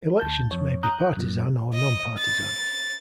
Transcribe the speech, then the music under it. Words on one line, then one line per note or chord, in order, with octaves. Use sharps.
Elections may be partisan or nonpartisan.
D2 A5 G6
F2 C#5
A#5 D#6 F#6 G6
F#2 A#2
D#5
A6